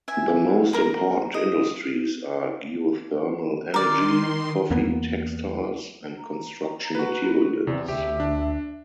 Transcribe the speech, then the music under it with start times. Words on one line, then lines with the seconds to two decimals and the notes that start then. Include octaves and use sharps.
The most important industries are geothermal energy, coffee, textiles and construction materials.
0.08 E5 G#5
0.73 A#4 A#5
1.34 D#5
3.74 D#3 A#4 D5 C6
4.71 E2 A#3 B3
6.18 A#5
6.95 F#4 B4
7.67 E2 C3 D5
7.88 D2 G4 E5
8.20 D4